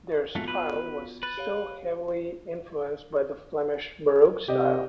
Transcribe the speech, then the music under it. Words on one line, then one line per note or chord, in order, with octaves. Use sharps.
Their style was still heavily influenced by the Flemish Baroque style.
F2 G#2 A3 B3 F4 F#4
B4
B4 A6
G4 C#5 F5
C3 G4 D5 D#5